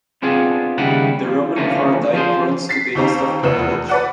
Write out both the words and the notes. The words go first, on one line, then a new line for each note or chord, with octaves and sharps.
The Roman Car Dyke runs to the east of the village.
B3 C4 D4 F4 G#4
D#2 C#3 G3 C#4 E4 F#5
F3
D3 E3 F3 A3 A#3 C#4
F3 F4 G#4 C5
A6 B6 C7
D#2 D#4 G4 C5 A#5
F1 E2 B3 E7
B4 D5 F#5